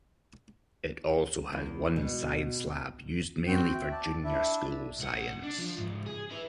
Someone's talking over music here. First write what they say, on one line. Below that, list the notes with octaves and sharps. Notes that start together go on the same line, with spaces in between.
It also has one science lab, used mainly for Junior School Science.
E2
B2
C4 F#4 G5 F#6
E5
D5 A5
D4 E4 E5
C2 F#5
D4
F3
G#2 F3
G#4
E4 B4